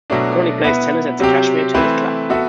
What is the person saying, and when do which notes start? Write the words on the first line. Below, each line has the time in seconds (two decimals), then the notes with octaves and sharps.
He currently plays tennis at the Cashmere Tennis Club.
0.10 B2 F#3 A3 D4
0.64 B3 E4 B4
1.20 C3 F#3 C4 G4
1.74 E3 A3 C4 E4 B4
2.30 B3 F#4 A4 E5